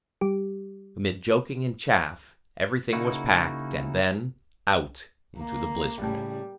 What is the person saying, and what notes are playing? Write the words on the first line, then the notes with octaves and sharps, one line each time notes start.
Amid joking and chaff, everything was packed, and then -- out into the blizzard.
G3 G4
C#3 A#3 D#4 E4 F#4
A#3
A2 C#3 G3